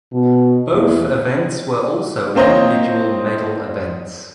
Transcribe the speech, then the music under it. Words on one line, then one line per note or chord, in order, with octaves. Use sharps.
Both events were also individual medal events.
B2
E2
A#3 C4 C5 C#5 D#5